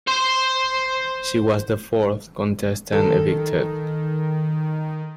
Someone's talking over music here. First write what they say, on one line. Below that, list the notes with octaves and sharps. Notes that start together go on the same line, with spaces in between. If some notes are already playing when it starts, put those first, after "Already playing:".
She was the fourth contestant evicted.
C5 C6
D#3 A4